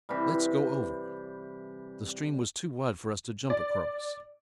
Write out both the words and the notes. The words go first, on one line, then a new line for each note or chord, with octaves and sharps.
Let's go over.' The stream was too wide for us to jump across.
C3 E3 G3
D5